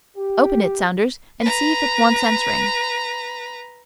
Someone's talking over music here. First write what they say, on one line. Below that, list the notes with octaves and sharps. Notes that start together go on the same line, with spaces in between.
"Open it, Saunders, and see if it wants answering."
G4
B4 A#5